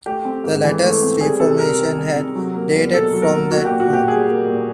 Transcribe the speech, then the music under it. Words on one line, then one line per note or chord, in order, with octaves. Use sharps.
The latter's reformation had dated from that moment.
A3 G4
C4
G#2
E3
A3
C4
G3 G#4
C3 A4
C3 A#4
D#3
G3
C3
F#3
A#3
E2
B2 A4
F#3
A#4
A#3
A#3 F#4
A#2 G4
F#4
A#2 G4
G3 G#4
A#3
A#2